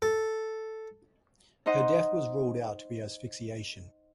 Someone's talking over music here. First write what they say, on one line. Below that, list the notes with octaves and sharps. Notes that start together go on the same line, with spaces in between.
Her death was ruled to be from asphyxiation.
A4
D#4 C5 D#5 F#5